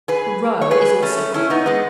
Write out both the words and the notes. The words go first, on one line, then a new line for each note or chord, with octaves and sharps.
The roe is also good.
G#4 B4
C#5
G#4 B4
A3 C#4
C#4 E4
B3 D#4
G#3 B3